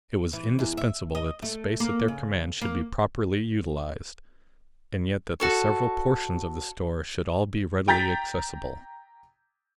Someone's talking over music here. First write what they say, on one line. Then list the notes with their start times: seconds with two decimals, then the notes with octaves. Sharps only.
It was indispensable that the space at their command should be properly utilized, and yet that the several portions of the store should all be readily accessible.
0.33 E3
0.59 E2
0.77 E5
1.15 D#5
1.42 A3
1.80 A#3
2.08 C#3
2.61 A#3
5.40 F#4 A4 C#5
7.88 G5 A#5 G6 A6 B6